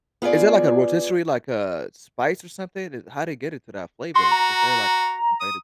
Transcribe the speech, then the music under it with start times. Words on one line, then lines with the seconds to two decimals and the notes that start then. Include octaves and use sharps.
Is that like a rotisserie, like a spice or something? It how did it get it to that flavor? Is there, like, a way to
0.22 B3 F4 G#4 D5
4.15 F#4 C6
4.32 A#5
5.41 D#6